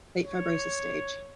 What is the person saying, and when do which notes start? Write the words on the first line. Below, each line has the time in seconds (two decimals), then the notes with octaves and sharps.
Late fibrosis stage.
0.23 C#5